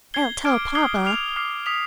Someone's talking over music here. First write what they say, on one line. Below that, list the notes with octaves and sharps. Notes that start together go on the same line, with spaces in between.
"I'll tell papa."
G#6 C7 G7
D6 F6 G#6 D7
D#6 G#6 C7 G7
F6 C7 F7
D6 F6 C7
D#6 B6 F7